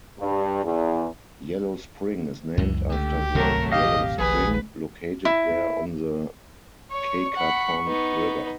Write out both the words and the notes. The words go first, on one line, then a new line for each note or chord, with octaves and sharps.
Yellow Spring is named after the "Yellow Spring" located there on the Cacapon River.
G2
E2
C#2 F#2 E3
D3 A3 G4
D#1 G#1 C3 F#3 A3 A#4
G4 D#5 F5 A#6
D#1 A#1 G#4 B4
E4
C#5 C#6
F#5 B5
B3 D#4